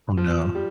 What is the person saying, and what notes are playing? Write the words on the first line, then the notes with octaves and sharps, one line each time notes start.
Oh, no.
F3
G3